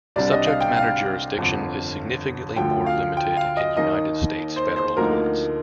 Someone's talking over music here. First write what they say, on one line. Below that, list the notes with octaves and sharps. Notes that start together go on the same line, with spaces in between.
Subject-matter jurisdiction is significantly more limited in United States federal courts.
C2 C3 G3 D4 D5
D#5
F5
G5
F5
G1 F2 D3
D2 D3 F3 G5
F5
G5
F5
D#5
D#2 D#3 A#3 D#4 D#5
C5
C5
D2 D3 F3 A#3 D#4 A#4